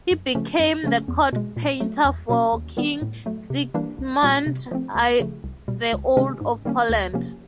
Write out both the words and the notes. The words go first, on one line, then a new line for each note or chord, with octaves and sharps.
He became the court painter for King Sigismund I the Old of Poland.
F#2
C#3 F3 A3 C#4
F#2
C#3 F3 A3 C#4
E2
B2 G#3
A#2
F#3 A3
E2
B2 F#3 A#3 C#4
D#2
D#3 G3 B3
A2
F#3 A3
C3
E3 G3 A#3 D4
C2
A#2 G3 C4
C3
F3 A3 C4
D2
C#3 F3 A3
C2
B2 G3
C#2
C3 D#3 G#3 C#4
G#2
D#3 G3 A#3 C#4
D2
C3 F3 A#3 C#4